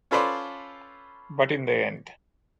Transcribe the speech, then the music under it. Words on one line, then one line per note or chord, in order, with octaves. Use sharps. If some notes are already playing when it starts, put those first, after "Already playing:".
But in the end.
C#4 F4 A4 B4 C5 D5